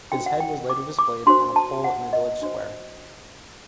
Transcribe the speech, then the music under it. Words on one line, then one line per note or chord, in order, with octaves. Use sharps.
His head was later displayed on a pole in a village square.
D4 F#4 C5 G5
F#5
G5
D6
D6
D4 F#4 C5 C6
A5
F#5
D#5
D4 F#4 C5